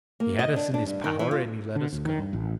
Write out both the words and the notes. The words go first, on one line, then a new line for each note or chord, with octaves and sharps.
He had us in his power and he let us go.
A#3
D#5
D4
D4
G2
D#3
E3
F4
D3
D2
D#3
G2
A1